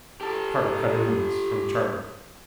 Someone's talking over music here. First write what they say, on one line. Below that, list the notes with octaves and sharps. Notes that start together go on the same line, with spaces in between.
Carter cut in on us from the chart room.
G4 A4